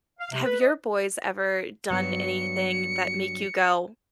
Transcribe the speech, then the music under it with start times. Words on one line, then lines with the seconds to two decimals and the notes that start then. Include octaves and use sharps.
have your boys ever done anything that make you go,
0.20 F5
0.31 C3
0.45 B4
0.60 D#5
1.90 G2 F#3 B3 C#7